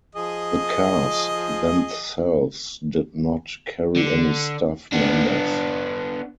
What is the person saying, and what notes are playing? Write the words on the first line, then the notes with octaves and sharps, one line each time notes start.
The cars themselves did not carry any staff members.
F3 G#4 D#5
D3
B3 D4